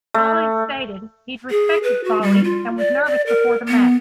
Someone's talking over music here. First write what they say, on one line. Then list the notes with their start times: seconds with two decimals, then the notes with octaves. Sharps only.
Ali stated he'd respected Folley and was nervous before the match.
0.14 A3
1.51 G#4
1.84 B4
2.04 F#4
2.22 G3
2.44 F4
2.77 D5
3.05 D5
3.27 A#4
3.68 B3